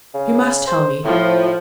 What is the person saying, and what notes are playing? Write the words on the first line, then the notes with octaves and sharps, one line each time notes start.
You must tell me.
C#3
C5
A2 F3